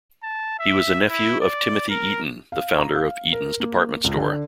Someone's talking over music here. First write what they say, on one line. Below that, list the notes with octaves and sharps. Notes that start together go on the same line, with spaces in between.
He was a nephew of Timothy Eaton, the founder of Eaton's department store.
A5
E5
E4
D5
A#4
F5
A#5
F5
A#4
A#3
C#2
D3